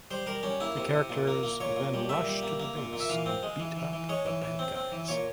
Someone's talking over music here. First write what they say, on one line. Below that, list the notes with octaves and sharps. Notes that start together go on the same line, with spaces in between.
The characters then rush to the base and beat up the bad guys.
G3 C5
G3 A#4
G3 C#4
A#3 E4
C3
C3
A#2
A#3
A#3
A#2 C#5
A#2
G3
A#2 E5
G3
A#3
A#3
A#2
A#2
E5
E3 F5
C4
G#3
E3
E3
E3
G#3 C#5
E3
E3
C4
C4
E3
A#2 C#5